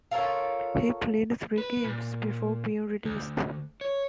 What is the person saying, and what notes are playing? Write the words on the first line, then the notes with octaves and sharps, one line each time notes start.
He played three games before being released.
F4 A4 A#4 C#5
B4
A#2
D2
C#5